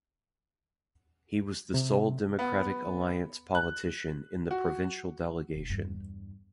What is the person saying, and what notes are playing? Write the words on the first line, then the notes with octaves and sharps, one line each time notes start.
He was the sole Democratic Alliance politician in the provincial delegation.
C3
B3
F#6
F#4
E1 E4
E2 G2